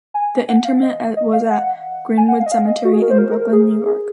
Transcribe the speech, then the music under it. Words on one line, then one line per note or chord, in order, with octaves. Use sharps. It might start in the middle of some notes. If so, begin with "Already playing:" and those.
The interment was at Green-Wood Cemetery, in Brooklyn, New York.
G#5
F#5
F5
D#5
D#5
F5
F#5
G#5
F#5
F5
D#5
F5
D#5
F#4
G#4
A#4
C5
A#4
A#4
A#4
G#4
G#4